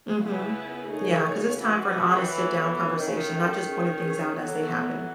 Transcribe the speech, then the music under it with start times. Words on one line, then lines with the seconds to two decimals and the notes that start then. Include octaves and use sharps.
Mhm. Yeah, 'cause it's time for an honest sit down conversation, not just pointing things out as they happen
0.19 C#3 B3 E4 B4
0.88 D#3 A3 D#4 G#4 C#5
1.58 E3 C#4 F#4 B4
1.95 B2
2.06 C#3
2.16 D#3
2.27 E3 B3 F#4 A4 C#5
2.96 D#3 C#4 E4 A4
3.06 C#3
3.17 D#3
3.66 C#4 G#4 C#5
4.36 E3 F#3 B3 E4 A4